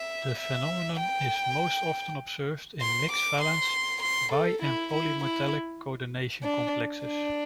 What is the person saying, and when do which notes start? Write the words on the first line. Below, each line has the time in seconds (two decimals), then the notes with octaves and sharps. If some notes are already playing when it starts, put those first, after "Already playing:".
The phenomenon is most often observed in mixed-valence bi- and polymetallic coordination complexes.
Already playing: E5
0.40 E5
1.00 G5
2.81 C6
3.12 D6
3.42 C6
4.02 C6
4.32 A4
4.62 E4
4.94 E4
5.24 E4
6.44 D4
7.05 D4